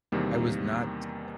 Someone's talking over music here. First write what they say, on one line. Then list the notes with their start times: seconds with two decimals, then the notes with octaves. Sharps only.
I was not I
0.12 E2 C3 D#3 G3 A#3